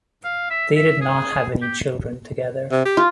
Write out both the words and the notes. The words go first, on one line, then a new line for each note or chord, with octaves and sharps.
They did not have any children together.
F5
E5
E5
G#4
G4
C3
G4
F4